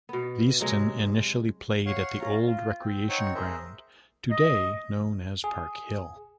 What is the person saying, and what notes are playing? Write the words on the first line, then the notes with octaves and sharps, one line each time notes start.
Leiston initially played at the old Recreation Ground, today known as Park Hill.
B2 B3
C3 F#3 G#3
C#5 F5 F#5
C#4 F4 A#5
F4
C4
C4 D#4 C#5 F#5
G#4 A#4 C5 E5
D#5
G#4